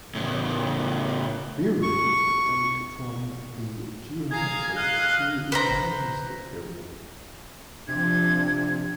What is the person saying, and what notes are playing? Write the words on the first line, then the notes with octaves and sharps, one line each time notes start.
Burials date from the geometric to the Hellenistic period.
A2 C#3
C#6
G#4 F5 A#5 G#6
D#5 F5 F#6
B4 C5 A#5
C3 F3 D4 G#6